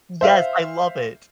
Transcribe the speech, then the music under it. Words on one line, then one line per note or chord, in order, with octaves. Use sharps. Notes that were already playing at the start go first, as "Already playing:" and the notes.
Yes, I love it.
C5 E5 F5